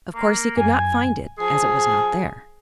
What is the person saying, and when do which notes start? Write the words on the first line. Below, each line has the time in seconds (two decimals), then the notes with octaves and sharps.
Of course he could not find it, as it was not there.
0.15 A#3
0.57 F#2 G#5
1.38 F3 G#4